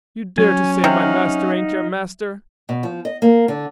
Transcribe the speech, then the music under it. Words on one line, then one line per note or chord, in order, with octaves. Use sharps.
You dare to say my master ain't your master!
F#3 C#4 G#5
C3 D#4 F5 F#5
B2
F3
D#5
A#3
D3